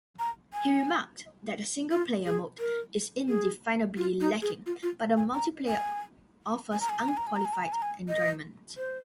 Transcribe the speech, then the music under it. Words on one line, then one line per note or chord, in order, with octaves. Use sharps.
He remarked the single-player mode is indefinably "lacking" but the multiplayer offers unqualified enjoyment.
A#5
G#5
F4
G#4
A#4
G#4
F4
D#4
G#4
F4
F4
G#5
A#5
G#5
G#5
A#5
G#5
A#5
G#5
A#5
G#5
A#5
G#5
A#5
G#5
A#5
G#5
D#5
C5